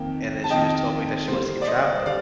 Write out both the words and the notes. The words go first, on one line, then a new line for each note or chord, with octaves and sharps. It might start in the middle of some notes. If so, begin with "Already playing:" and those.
and then she just told me that she wants to keep traveling,
Already playing: F2 D#3 A#3 G5
A5
F2 D#3 A#3 D#5 G5
D3 G3 A#3 C5
D5
C5 D#5
D3 G3 D5 F5